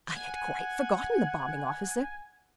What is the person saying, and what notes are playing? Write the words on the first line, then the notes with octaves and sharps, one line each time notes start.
I had quite forgotten the Bombing Officer.
F#5 G#5